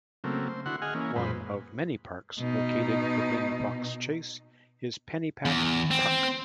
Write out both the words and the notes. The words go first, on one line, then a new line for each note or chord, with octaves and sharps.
One of many parks located within Fox Chase is Pennypack Park.
C#3 F#3 A3 A#3 C4
C5
D3 E4 F#4 F#5 C6
G#4 D#5 F#5 G#5 F6
E3 A#3 C#4
F#2 A#2 G#3 B4 C5
B2 D#4
E2
C4